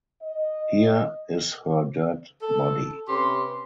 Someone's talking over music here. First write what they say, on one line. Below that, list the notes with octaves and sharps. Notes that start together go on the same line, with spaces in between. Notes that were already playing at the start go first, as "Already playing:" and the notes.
Here is her dead body.
D#5
A4
C3 C#4 G4 B4 C6